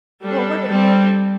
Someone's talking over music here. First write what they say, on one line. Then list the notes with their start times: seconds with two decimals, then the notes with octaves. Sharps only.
Well, what it well
0.23 G3 D4 A4
0.69 G3 C4